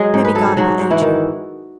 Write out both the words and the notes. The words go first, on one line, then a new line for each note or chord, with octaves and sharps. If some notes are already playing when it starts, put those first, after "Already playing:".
Maybe God will aid you.
Already playing: F#3 G#3 G#4
G#2
B4
F#3 A4
G#4
G#2 F#3 F#4
G#2
E3 E4
D#3